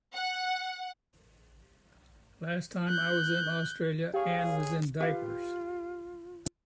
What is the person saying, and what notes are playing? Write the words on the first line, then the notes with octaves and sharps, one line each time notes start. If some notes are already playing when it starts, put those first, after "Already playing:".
Last time I was in Australia Anne was in diapers.
F#5
F#6 G6
B1 G4 G#4 C#5 F5
F4 G4 B4 F5